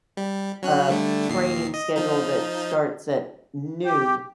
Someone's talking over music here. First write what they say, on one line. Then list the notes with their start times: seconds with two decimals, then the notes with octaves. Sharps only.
a training schedule that starts at noon
0.17 G3
0.62 F#3 C#4 F#6
0.89 D3 G3 A3
1.28 D#2 A#2 C7
1.74 D#5
1.96 F3 D#4
3.85 G4